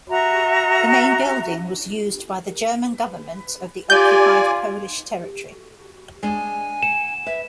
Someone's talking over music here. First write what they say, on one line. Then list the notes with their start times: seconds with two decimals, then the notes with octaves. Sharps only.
The main building was used by the German government of the occupied Polish territory.
0.10 F#4 E5 A#5
3.90 F4 G4 D5 G#5 G6
6.23 G#3 D4 G#5
6.83 F#5 E7
7.26 B4 E5